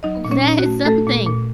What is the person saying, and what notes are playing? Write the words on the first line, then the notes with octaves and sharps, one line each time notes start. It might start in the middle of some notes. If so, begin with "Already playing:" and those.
that is something.
F#3 D#4 D#5
A#2
C#4 C#5
A#2
F#4
A3
A3 A4
A#2
A#2